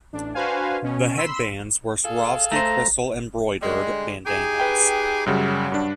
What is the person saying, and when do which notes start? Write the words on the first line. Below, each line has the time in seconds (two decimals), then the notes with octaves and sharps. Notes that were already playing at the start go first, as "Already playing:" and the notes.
The headbands were Swarovski crystal-embroidered bandanas.
0.13 A1 D4
0.34 D4 F#4 B4 C5 F5 G#5
0.82 B2 C#4
1.17 B5 C6 E6 B6
2.05 G#4 A4 F5
2.52 A3 C5 A#5
3.62 D3 G3 G#3
4.26 D#4 G4 G#4
4.60 B4 G5
5.26 F#2 C#3 F#3 G3
5.72 G2 D4